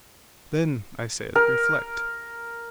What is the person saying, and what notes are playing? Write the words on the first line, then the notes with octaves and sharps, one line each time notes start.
Then, I said, reflect.
A#4